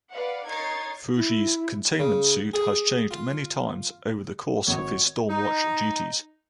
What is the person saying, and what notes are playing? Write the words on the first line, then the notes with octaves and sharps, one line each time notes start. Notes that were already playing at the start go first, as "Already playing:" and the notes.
Fuji's containment suit has changed many times over the course of his Stormwatch duties.
B4 D5 F5 F#5
D#4 A#4 C#5 G#6 A6 C7
E4
C#3
G#4
F4
G#1 C#5
D#4